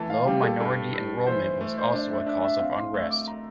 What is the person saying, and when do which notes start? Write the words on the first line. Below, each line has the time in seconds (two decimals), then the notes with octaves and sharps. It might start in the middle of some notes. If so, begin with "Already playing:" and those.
Low minority enrollment was also a cause of unrest.
Already playing: E3 A3 A5
0.10 F5
0.26 G3 G4
0.43 A4
0.60 G2 A4
0.93 G2
1.26 E3 C5
1.43 C5
1.61 A3 C5
1.77 C5
1.93 D4 D5
2.11 E5
2.26 D4 E5
2.44 E5
2.60 C4 F5
2.77 C6
2.94 A3 E6
3.11 D6
3.27 A#5